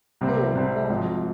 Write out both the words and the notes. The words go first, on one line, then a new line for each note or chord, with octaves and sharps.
More! more!
C2 C3 G3 C4
C2 C3 G3 C4
G#1 G#2 F3